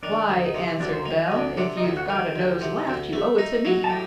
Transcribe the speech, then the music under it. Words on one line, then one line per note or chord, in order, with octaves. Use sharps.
"Why," answered Bell, "if you've got a nose left, you owe it to me."
D#3 D4 D5
D2
D#4 D#5
C3
D2 D4 D5
C5
A#3 A#4
D#3
D2 D#5
D4 D5
C3 D4 D5
D#4 D#5
D2
F#4 F#5
D#3
G4 G5
D2
C3
D2
A3
D#4
F#3
A5
A2 G4 G5